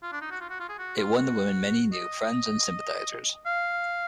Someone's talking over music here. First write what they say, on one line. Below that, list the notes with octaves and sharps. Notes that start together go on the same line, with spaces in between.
It won the women many new friends and sympathisers.
F4
D4
D#4
F#4
F4
F#4
F4
G#4
F#4
F4
F#4
D#5
F5